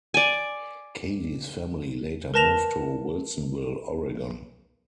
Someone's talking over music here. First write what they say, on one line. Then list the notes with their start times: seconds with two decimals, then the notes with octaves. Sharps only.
Cady's family later moved to Wilsonville, Oregon.
0.14 D5 G#5
2.34 A#4 B4 A5 A#6 E7 F7